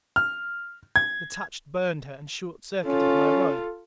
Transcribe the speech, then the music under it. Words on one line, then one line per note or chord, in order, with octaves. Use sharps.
The touch burned her, and short-circuited my robe.
F6
G#6
C#4 F4 A4